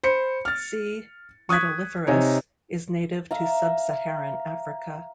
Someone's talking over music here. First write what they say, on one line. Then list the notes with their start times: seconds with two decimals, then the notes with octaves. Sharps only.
"C. metuliferus" is native to Sub-Saharan Africa.
0.03 C5 B5 C#7
0.45 F6 A6
1.49 C#6 D#6 F#6 G#6 B6
2.07 C3 D#4 C#5 G#5
3.31 E5 F5 A#5